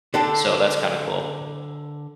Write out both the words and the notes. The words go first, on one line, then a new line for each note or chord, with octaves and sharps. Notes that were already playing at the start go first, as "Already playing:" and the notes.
So that's kinda cool.
D3 D4 A4 G5 A5